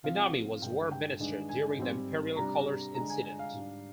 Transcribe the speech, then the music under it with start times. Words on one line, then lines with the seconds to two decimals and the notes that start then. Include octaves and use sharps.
Minami was War Minister during the Imperial Colors Incident.
0.04 C3 F3 C4 F5
0.62 G2 D3 G#3 G5
0.91 G5
1.20 G2 D#3 G#3 D4
1.49 G#5
1.78 G#2 G3 C4
2.36 C3 G3 D4 A#5
2.95 D3 G#3 D4 A#5
3.10 G#5
3.25 G#5
3.39 F5
3.53 G#2 G3 D4